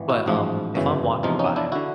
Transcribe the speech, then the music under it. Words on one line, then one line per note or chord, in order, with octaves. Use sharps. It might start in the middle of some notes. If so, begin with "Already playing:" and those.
but, um, if I'm walking by,
Already playing: G#1 E3
E4 F#4
A1 G#2 F3
G1 F#2 C#3 E3
E2 C3 F3 D#4 F4
C#4 D#4
D4 E4
D3 E4 F#4